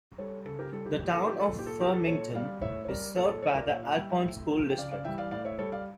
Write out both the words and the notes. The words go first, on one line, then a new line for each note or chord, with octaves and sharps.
The town of Farmington is served by the Alcorn School District.
G3 A4 C#5
C#3 A4
G4 A#4
G3 A4
G4
A#2 G4
A4
F3 G4
A4
A#2 G4
A4
F3 G4 A#4
A4
A#2 A4 C#5
G3 D5 F5
A2 C#5 E5
C#5
G3 A#4 D5
A#2 A4 C#5
A4 C#5
F3 A4 C#5
A#4 D5
A#2 C#5 E5
D5 F5
G3 E5 G5
E5 G5
A2
F3
G5
C#3 D5 F5
D5 F5
E3 G3 E5 G5
D5 F5
A2 D5 F5
C#5 E5
G3 A4 C#5
D5 F5